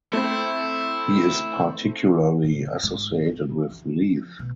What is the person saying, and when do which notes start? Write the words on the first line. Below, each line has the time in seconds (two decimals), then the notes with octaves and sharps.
He is particularly associated with Leith.
0.13 A3 C4 E4
2.44 A2
2.65 D#2
2.83 G#2
3.11 G#3
3.26 G1
3.71 E3
4.10 F3
4.39 B2